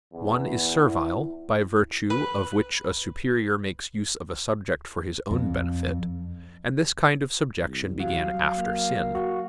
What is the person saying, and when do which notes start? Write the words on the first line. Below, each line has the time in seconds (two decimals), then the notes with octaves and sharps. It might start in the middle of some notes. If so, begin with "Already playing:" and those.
One is servile, by virtue of which a superior makes use of a subject for his own benefit; and this kind of subjection began after sin.
0.14 E2
0.83 E4
2.10 B4
5.31 F2
7.62 C2
8.00 F#3 F5
8.56 A#3
9.15 F#4